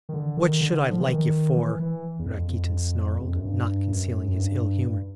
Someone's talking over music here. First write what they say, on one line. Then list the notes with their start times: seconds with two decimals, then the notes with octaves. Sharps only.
"What should I like you for?" Rakitin snarled, not concealing his ill-humor.
0.09 D#3
0.14 D3
0.37 D#3
0.61 D3
0.91 F3
0.99 E3
1.08 D#3
1.55 E3
1.79 E3
2.19 E2
2.26 F2
2.50 F2
3.19 E2
3.28 F2
3.36 F#2
3.45 G2
3.92 F#2
4.28 F#2
4.40 G2
4.86 G2